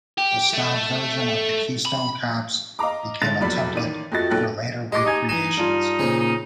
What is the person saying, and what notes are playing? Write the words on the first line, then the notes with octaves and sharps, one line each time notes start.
The Staub version of the Keystone Cops became a template for later re-creations.
G4
A3
B5
D#5 F5 A#5 D6
G1 G#2 A6 F7
F1 E2 F#3 D5 B5 B6
A1 D#3 D5 D#7
F2 A3 F#4 D#5 A6
B1 A4 G5 F#6
G#3 G4 D#5 D6
D#4 D#5 G#5 G#6
E3 D#4 G#5 E7
G2 F4
A#2 C#3 F3 C4
D#4